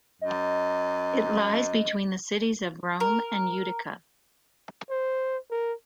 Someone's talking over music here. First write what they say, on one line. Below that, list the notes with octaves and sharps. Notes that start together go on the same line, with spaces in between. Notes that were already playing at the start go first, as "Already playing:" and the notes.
It lies between the cites of Rome and Utica.
F#2 D#5
A#4
C5
A#4